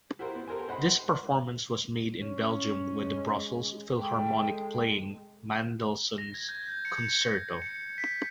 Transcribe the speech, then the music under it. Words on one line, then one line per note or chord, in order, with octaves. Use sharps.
This performance was made in Belgium with the Brussels Philharmonic playing Mendelssohn's concerto.
E4 F#4 G4 A#4 C5
B3
G4 A4 A#4 C5 G#5
D#4 C5 F#5 B5
C#4
G#3
G#3 A4 G5
A#6
G#6
G6
C#7
C#7
B6